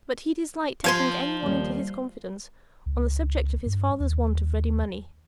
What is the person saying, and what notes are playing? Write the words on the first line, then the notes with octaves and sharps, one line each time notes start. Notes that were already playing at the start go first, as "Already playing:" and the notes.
But he disliked taking any one into his confidence on the subject of his father's want of ready money.
F3 F5 G#5 C6
D#2 G3
C#2
G2
D#2